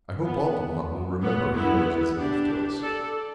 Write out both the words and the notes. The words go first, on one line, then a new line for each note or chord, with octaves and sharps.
"I hope Altamont will remember he owes his life to us?"
B3
B3
B3 E4
D4 G4
A4 D5